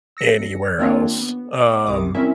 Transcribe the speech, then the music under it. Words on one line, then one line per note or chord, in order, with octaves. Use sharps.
anywhere else. Um.
E6 A#6 C#7
D#3 A#3 C4 D4 F4 C#5
B3
C2 C3 D#3 D6 D#6
G3 C4 C#4 E4 A#4 E5